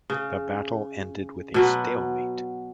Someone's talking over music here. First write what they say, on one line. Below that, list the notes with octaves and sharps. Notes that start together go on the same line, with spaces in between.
The battle ended with a stalemate.
C#3
B2 F#3 B4